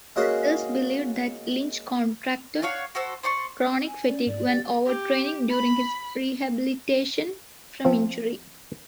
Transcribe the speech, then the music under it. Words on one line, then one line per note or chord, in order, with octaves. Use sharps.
Others believed that Lynch contracted chronic fatigue when overtraining during his rehabilitation from injury.
G#3 A#3 C#4 F#4 G#4
D4 C#5 F5 F#5
F#4 A4 C5 E6
C5 D5 C6 C#6
G#5
C#4 D5
G#2 D5
G4 A6
G4
B5
F3 C4 F4